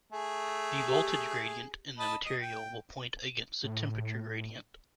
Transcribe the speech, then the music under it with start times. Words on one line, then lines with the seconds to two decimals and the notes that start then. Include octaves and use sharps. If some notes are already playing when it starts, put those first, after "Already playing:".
The voltage gradient in the material will point against the temperature gradient.
0.12 A3 G#4
0.88 G4 E5
1.99 D#5 A5 B5
2.25 D#5
2.41 G5
3.64 A2